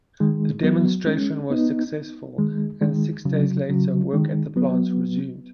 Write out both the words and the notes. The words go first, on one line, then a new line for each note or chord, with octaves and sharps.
The demonstration was successful and six days later work at the plants resumed.
D#3 G#3
F#3 B3
G#3 C#4
B3 D#4
D#3 G#3
D#3 G#3
C#3 F#3
C#3 F#3
D#3 G#3
F#3 B3